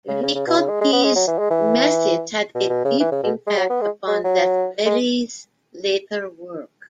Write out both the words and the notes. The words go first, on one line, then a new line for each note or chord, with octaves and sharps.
Visconti's methods had a deep impact upon Zeffirelli's later work.
C#3
C#3
C#3
B2
C#3
G#3
G#3
B3
G#3
F#3
E3
G#3
E3
B2
B2
C#3
E3
C#3
B2
G#3
F#3
B3
G#3
G#3
F#3
G#3